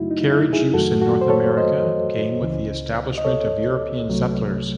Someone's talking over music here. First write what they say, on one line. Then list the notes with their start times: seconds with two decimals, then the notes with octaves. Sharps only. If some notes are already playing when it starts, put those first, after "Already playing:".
Carriage use in North America came with the establishment of European settlers.
Already playing: F#2 C#3 F#3 A3 D#4 E4 F#4
0.11 D#4
0.32 E4
0.53 E4 G#4
0.74 F#2 D#3 F#3 A3 F#4 A4
1.01 F#4 A4
1.21 C5
1.30 A4 C#5
1.57 C5 D#5
2.41 C#2 C#3 E3
3.18 D#5
3.25 A4 C#5
4.09 C2 C3 F#3 A3